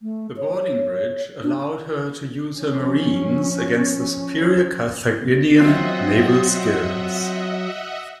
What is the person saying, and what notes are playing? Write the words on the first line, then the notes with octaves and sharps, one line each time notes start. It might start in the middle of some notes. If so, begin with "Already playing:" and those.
The boarding-bridge allowed her to use her marines against the superior Carthaginian naval skills.
A3
C#5
D4
F3 C#4
F#3 C4 F4 D#5 E5 F#5